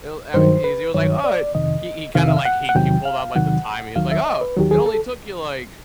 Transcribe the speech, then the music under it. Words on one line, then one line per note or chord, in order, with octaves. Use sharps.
He'll eh, e he was, like, "Oh, eh" he he kinda, like, he he pulled out, like, the time, he was like, "Oh, it only took you, like,
G2 D#3 F#3 C5
B4
G2 D#3 F#3 C#5
D5
F2 C3 D#3 D#5
F2 C3 D#3 F5
E5
F5
F#5
F#5
E2 C3 D#3 F#3 G5
F5
E2 C3 D#3 F#3 F#5
D#2 D#3 F#3 F5
E5
D#5
B4
D#2 D#3 F#3 G4
G#4
A4